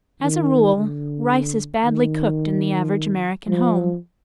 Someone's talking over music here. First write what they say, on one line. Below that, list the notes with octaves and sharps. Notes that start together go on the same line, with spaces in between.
As a rule rice is badly cooked in the average American home.
D#3
D3
D#3
F3